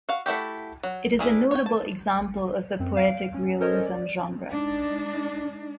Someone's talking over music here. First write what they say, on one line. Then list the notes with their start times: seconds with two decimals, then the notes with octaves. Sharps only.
It is a notable example of the poetic realism genre.
0.09 F#4 F5
0.26 A3 E4 F#4 G4
0.83 F#3
1.19 D4 E4 G#4 A#4
1.51 C#5 G5
1.66 A5
2.79 F#2 C4
2.97 F5 D7
3.34 C#4
3.60 C#4 A4 A#4 C5 C#5 D#5
3.86 D5
4.48 G#3 D4 D#4